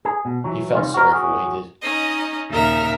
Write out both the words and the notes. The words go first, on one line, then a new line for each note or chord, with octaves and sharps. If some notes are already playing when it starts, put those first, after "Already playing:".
He felt sorry for what he did.
G#4
B2
E3 F#3
C3 D#3 E3 G3 C#4 F4
F#4 A#4
C#4 F#4 G#4
C#4 D#4 D#5
D#2 A#2 C#3 A#4 E5 F6